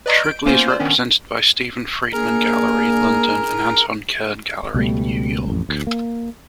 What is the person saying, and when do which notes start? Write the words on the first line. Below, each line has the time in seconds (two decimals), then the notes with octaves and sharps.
Shrigley is represented by Stephen Friedman Gallery, London and Anton Kern Gallery, New York.
0.06 B4 D5 D#5 A#5 C6 C#6
0.23 G6 D7
0.46 A#3 B3 C#4 F4 C5
0.67 F4 C5 D5
0.79 D#3 B3 C#4 D4
2.13 A#3 D4 G#4 A#4 G#5 A#5
4.74 C#2 B2 G3 A3
5.48 A1 F2
5.69 D2
5.87 A#3